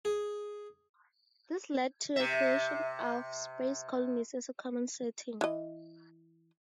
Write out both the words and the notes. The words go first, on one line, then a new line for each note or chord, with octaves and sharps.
This led to the creation of space colonies as a common setting.
G#4
C3 E5
E3 D#5